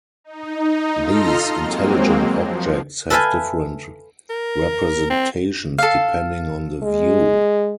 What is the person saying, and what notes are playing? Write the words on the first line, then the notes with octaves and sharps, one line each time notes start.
These intelligent objects have different representations depending on the view.
D#4
F4 A4 D#5 A#5 C6 F6
F#3 G#3 A#3 C4
F3
A4 B4 E5 F5 G#5 A5
A#4
C4
A4 F5
G#3